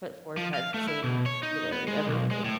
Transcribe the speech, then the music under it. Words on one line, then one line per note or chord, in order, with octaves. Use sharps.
put forth that same, you know, everything.
F3
F5
A3
E4
B2
C#5
D#4
B3
G#3
B1
G#3
A2